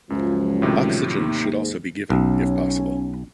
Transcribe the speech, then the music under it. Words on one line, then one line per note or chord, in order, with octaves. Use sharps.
Oxygen should also be given if possible.
C#2 F#2 F3 F#3
A2 C3 D#3
D#2
G#2
B1 C#4